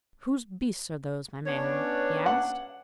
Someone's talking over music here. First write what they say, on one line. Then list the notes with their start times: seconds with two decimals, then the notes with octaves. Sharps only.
'Whose beasts are those, my man?' he asked.
1.46 B3 C#4 D4 C#5
2.26 F#5